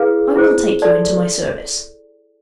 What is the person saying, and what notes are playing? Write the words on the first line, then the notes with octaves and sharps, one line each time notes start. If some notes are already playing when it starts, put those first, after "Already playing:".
I will take you into my service.'
Already playing: E4 G#4 B4 F5
E4 G#4 C5
A4 D5 A5 C6